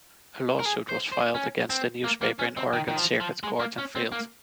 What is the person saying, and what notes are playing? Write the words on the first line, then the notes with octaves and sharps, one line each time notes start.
A lawsuit was filed against the newspaper in Oregon Circuit Court and failed.
A#4
G#4
C5
C5
C#4
C4
A#3
A#3
C#4
C4
D#3
D#3
F3
F3
G#3
A#3
C#4
C4
A#3